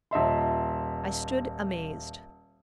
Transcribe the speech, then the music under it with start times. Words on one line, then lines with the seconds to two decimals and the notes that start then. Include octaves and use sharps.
I stood amazed.
0.11 D#1 D#5 E5 C6